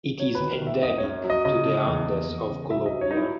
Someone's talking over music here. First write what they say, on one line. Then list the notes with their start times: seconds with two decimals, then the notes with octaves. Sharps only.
It is endemic to the Andes of Colombia.
0.20 F#3 C#5
0.35 B4
0.40 D#3
0.51 A#4
0.62 D#3
0.67 E5
0.82 F#2 D#5
0.98 C#5
1.03 F#2
1.24 F#3
1.30 D#5
1.45 C#3 D#5
1.65 C#3
1.87 E2
2.07 E2
2.29 E2
2.50 C#3
2.70 F#3 E5
2.86 F#3 D#5
3.01 C#5
3.11 F#3 D#4
3.17 E4